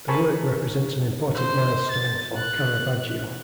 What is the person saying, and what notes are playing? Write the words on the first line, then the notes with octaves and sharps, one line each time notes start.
The work represents an important milestone for Caravaggio.
A#4 C5 G#5 A5 B5 C#6
C5
A6
F#6